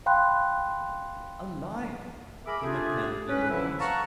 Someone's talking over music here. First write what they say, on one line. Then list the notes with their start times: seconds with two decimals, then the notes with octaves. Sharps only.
"Alive!" he mechanically repeats.
0.06 F5 G5 B5 C6 F#6
2.46 G#4 A#4 E5 B5 D6
2.62 A3 D4 F4 G4 G#4
3.28 C#4 B4
3.50 F2 D3 E3 F#3 E4 E5
3.80 F5 F#5 A5 A#5 C#6